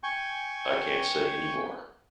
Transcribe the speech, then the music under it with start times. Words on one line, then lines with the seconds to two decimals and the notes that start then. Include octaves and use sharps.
I can't say anymore.
0.03 G5 G#5 C#6